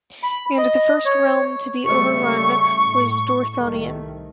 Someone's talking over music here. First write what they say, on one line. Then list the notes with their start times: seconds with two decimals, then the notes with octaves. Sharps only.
And the first realm to be overrun was Dorthonion.
0.23 B5
0.58 D#5
1.05 C#5
1.85 C#3 G3 A3 C#6
2.86 A2
3.57 C2 D#3 A3